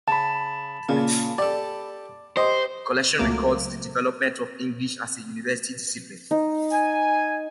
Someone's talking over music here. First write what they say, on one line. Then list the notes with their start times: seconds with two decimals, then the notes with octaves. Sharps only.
The collection records the development of English as a university discipline.
0.08 C#3 A5 B5
0.89 A#2 C#3 A#3
1.38 G4 A4 D5
2.37 G4 C5 D#5
3.19 C#2 F#3 A3 A#3 D6
6.31 D#4
6.72 G#5